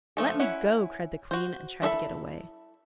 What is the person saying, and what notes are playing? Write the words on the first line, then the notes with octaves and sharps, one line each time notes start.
"Let me go!" cried the Queen, and tried to get away.
F3 A3 A4
C#4 E4 F#5
F#4 C5
E4 F#4 A4 E5 B5